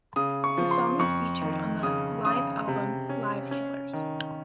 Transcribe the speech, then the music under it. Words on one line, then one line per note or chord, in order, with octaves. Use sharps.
The song is featured on the live album "Live Killers".
C#3 D#6
C#6
F3
C6
F2 C#6
D#3
C#3 D#6
C#3 D#6
C3
C#4
C#4
D#3